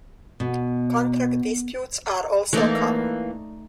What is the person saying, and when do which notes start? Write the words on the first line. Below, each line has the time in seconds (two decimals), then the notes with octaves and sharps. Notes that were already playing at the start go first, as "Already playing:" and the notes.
Contract disputes are also common.
0.40 B2
2.53 E3 A3 A#3 D#4 D5